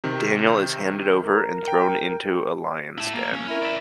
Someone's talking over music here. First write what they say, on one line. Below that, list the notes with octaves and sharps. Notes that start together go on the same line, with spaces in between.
Daniel is handed over, and thrown into a lions' den.
C3 D#3
A#4
G5
E4 A5
A#3
C#4
E4 A#4
D5 E5